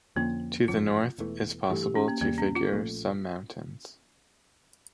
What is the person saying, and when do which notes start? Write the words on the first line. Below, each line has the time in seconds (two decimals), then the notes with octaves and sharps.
To the north, is possible to figure some mountains.
0.16 F2 D3 F3 A#3 C#4
0.68 A1 G2 F3 C#4 F4
1.18 E1 E2 E3 A3
1.70 G2 E3 A3 G4
1.83 G4
1.95 C#4
2.08 A#3
2.21 E2 C#3 G3 A#3
2.38 C#4
2.55 F4
2.73 A#1 A#2 A3